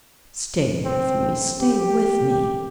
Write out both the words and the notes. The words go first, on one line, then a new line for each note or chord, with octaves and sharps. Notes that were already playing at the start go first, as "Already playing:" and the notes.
Stay with me, stay with me!
C4
G4